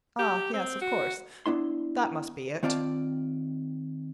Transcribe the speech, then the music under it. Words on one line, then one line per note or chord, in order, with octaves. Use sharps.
Ah yes, of course, that must be it.
G4
C4
F#4
B3 D4 E4 C6
D#3 C4 F4 D5 D#5 A5